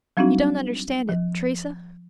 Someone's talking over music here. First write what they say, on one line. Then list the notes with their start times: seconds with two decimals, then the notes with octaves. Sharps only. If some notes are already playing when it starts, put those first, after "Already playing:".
"You don't understand it, Teresa?"
0.17 F#3 G3 C4 D4 D#4 F#4
1.09 F3